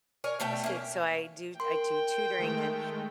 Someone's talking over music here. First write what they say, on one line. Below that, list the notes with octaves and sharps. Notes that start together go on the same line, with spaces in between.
d s so I do I do tutoring. And,
A#4 C#5 G#5
B2 A3 E5 G5
A#3 C#4
A#4 G5 C6
D#3 G#3 A3